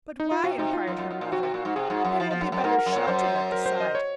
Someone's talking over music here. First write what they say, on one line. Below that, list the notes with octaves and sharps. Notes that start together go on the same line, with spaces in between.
"But why?" enquired her mother; "they will be better sheltered at the side."
D#4
F4
C3 F#4
C3 D#4
F4
F#2 F4
F#2
F#2
A#2
C3 F#4
C3
A#2
G#2
C3 G#4
G#2
F#2
F3
F3
F#2
F#2
G#2 A#4
A#4
F#2
C#5
A#2
F#2 C5
A#4
C5
D#5
C#5